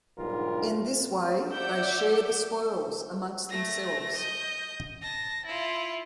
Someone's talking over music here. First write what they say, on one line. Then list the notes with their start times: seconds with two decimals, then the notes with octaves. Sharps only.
In this way, they "share the spoils" among themselves.
0.18 B1 G#2 D3 G3 F4 A#4
1.49 D5 E5 F#5 D6 E6 G6
3.49 A3 A#6
4.16 D#5 G6
5.02 A5 A#6
5.46 E4 F4